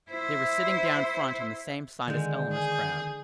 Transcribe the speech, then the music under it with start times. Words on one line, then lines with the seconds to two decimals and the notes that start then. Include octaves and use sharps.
They were sitting down front on the same side as Eleanor's crowd.
0.11 E4 C5
2.08 D3 D#3 G#3 G6
2.52 G#4